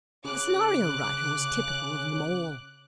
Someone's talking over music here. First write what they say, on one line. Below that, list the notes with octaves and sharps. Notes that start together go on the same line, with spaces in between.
The scenario writer was typical of them all.
C#3 D6 F#6